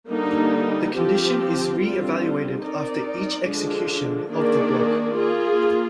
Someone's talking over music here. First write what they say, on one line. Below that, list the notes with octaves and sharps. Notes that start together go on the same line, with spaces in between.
The condition is re-evaluated after each execution of the block.
D3 G3 A#3 D#4
F3 C4 G4
D3 G3 C4 F4
C4 D#4 A#4 D5
D3 F3 G#3 D4
D#3 A#3 D4 G#4 D5
A#3 F4 G#4